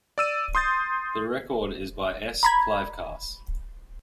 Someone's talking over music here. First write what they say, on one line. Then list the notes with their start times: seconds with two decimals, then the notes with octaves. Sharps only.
The record is by S. Kleivkaas.
0.18 D5 E6 D#7
0.55 C6 D#6 G6 A6
2.43 A#5 B5 G#6